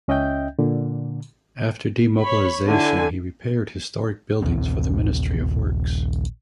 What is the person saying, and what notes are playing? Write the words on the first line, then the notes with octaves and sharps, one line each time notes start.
After demobilisation he repaired historic buildings for the Ministry of Works.
C#2 C#4 D#5 E5 G5 G6
A#2 D3
C#5 B5
D3 E4 G#5
A#1 D#2 C4